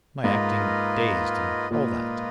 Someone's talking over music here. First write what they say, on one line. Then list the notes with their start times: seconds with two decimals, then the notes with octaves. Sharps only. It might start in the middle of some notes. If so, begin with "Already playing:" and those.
"My acting dazed and all that?"
0.24 G#2 A#3 F4 B4 D#5
1.70 A#2 A#3 F4 B4 D#5